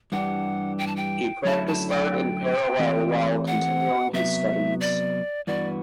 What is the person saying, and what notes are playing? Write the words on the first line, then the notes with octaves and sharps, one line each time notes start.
He practiced art in parallel while continuing his studies.
G2 E3 G3 D4 G4 F#5
G5
A5
G5
F#2 D3 F#3 A3 E4 A5
A5
G5
E3 A3 C4 G4
F#5
C3 F#3 B3 E5
D5
G2 E3 B3 F#4 D5